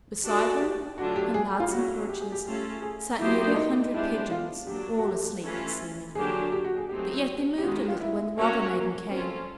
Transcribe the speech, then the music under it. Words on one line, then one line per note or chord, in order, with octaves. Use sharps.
Beside them, on laths and perches, sat nearly a hundred pigeons, all asleep, seemingly; but yet they moved a little when the robber maiden came.
D4 F#4 G4 A4 D5
G4
D3 F#3 A3 D4 F4 F#4
G4
G#4
F4
F#3 A3 C#4 F#4
G4
G#4
G4
A3 C#4 F4 G4 A4
G#4
F#3 B3 D#4 E4 G4 C5
D4
D#4
G#3 B3 D4 E4 G4 C5
F4
F#3 A#3 D4 G4
F#4
G4
E3 A3 C#4 F4
D3 F#3 A#3 D4 G4 G#4
G4
F#4
G#4
F#3 A3 C4 D#4 G4 G#4
G4
D#3 G#3 B3 F#4
G4
F4
E4
A#3 C#4 F#4 A#4 C#5
A#3
C4 C#4 F4 A4